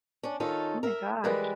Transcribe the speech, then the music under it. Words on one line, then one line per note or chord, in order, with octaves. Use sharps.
Oh my gosh.
C#4 D4
D#3 C#4 D#4 F4 A4
A#4 E5
E3 G3 G#3 A#4 B4